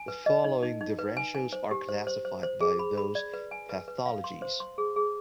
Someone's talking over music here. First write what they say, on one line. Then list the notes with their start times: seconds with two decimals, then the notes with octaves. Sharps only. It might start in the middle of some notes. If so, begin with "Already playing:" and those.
The following differentials are classified by those pathologies.
Already playing: G#5
0.08 B4
0.26 D#5
0.44 D#4
0.63 D#4
0.81 D#4
0.99 B4
1.17 G#5
1.34 G#5
1.53 C5
1.71 G4
1.89 C5
2.07 C5
2.25 C5
2.43 C5
2.61 G#4
2.79 B5
2.98 B5
3.15 D5
3.34 B4
3.51 G#5
3.69 B4
3.88 B4
4.06 F5
4.24 C6
4.42 C5
4.60 C6
4.78 G#4
4.96 G#4